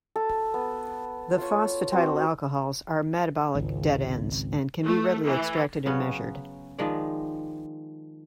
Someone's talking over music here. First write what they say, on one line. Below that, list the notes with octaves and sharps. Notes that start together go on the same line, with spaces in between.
The phosphatidyl alcohols are metabolic dead-ends, and can be readily extracted and measured.
A4
B3
F4 C#5
C4 F#4
G#1 C#2
A3
E3
C#3 F#3 B3 C#4
D#3 F3 G#3 D5